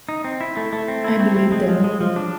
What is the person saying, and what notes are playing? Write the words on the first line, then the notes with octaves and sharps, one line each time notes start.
I believe them.
D#4
C4
E4
A3
A3
C4
E4
C4
C4
G#3
F3
G#3
F3
D4